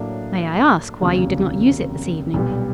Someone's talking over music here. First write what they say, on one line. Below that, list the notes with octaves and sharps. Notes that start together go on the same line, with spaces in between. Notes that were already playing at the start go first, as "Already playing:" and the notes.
"May I ask why you did not use it this evening?"
Already playing: A2 F#3 A#3 D4
F1 D#2 C#3 F#3 A#3
B1 A#2 G3 B3